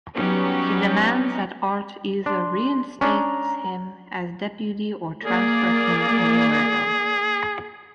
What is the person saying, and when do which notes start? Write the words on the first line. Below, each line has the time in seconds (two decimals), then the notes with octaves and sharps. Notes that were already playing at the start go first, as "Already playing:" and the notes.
He demands that Art either reinstates him as deputy or transfer him anywhere else.
0.16 F#3 G3 B3 C#4 D#4 G4
2.26 D4 C6
3.01 C#4 D4 A#5
5.25 A#3 G#4 D5